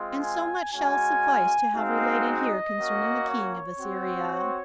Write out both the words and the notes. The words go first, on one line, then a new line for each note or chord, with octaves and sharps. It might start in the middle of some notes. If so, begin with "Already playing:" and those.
And so much shall suffice to have related here concerning the king of Assyria.
Already playing: G#3 C4 F4
G#5
G#3 C#4 F#4 G#5
G#3 C4 D#4 F#4 F5
D#5
A#3 C#4 F#4
C#5
C4 F#4
C#5